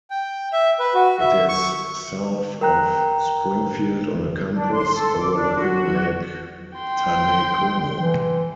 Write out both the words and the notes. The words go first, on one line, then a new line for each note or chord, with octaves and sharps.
It is south of Springfield on a campus, overlooking Lake Taneycomo.
G5
E5
B4
F#4
E5
C#6
A#4 G5 A#5 F#6
D4
C6
A4
D6
D4
F#4
G5 C6
E3